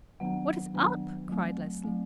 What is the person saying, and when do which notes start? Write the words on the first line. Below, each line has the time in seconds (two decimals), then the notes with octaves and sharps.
"What is up!" cried Leslie.
0.20 D#3 F#3 B3 D4 F#5
0.74 D#3 F#3 B3 D4
1.29 F#3 A3 C4
1.84 F#3 A3 C4